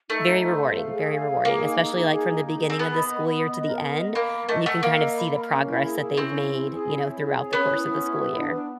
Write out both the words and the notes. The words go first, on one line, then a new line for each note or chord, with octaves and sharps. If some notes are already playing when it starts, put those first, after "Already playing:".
Very rewarding, very rewarding, especially, like, from the beginning of the school year to the end when you can kind of see the progress that they've made, you know, throughout the course of the school year.
A3 D#4
D#4
C5
F5
F5
G#4
F5
G#4
A#3 G#4
D#4
G#4
D#4
G#4
D#4
G#4
G#4
C4
B3 B5
D#5
B5
B5
D#5
A#4
A#4
D#5
A#3 B5
A#4
A3 D#5
A3 F#5
A#3 A#4
D#5
B5
A#4
C#4
E4
G#4
E4
C4 C#4
E4
E4
G#4
E4
C#5
G#4
C#5
B3 C#4
E4
C#4
E4
B4
D4
D4